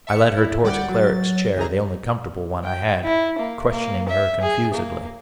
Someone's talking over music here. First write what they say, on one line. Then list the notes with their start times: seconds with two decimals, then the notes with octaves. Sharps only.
I led her toward Cleric's chair, the only comfortable one I had, questioning her confusedly.
0.07 E5 A5 C#7
0.37 E4
0.63 D2 G3 D5 F#5 G5 D6
0.89 F#3 A6
1.56 C#2 E3 G#4 A#5
2.64 G5
3.04 E4
3.38 A#3
3.70 A#3
4.09 E5
4.41 G#4
4.74 A#3